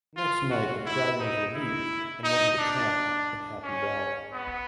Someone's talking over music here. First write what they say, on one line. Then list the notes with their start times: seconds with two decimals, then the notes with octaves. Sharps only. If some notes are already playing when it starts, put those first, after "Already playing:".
The next night the battalion was relieved and went into camp in Happy Valley.
0.16 F4
0.50 F#4
0.86 E4
1.20 D#4
1.54 E4
2.24 D#4
2.59 D4
3.63 C#4
4.33 B3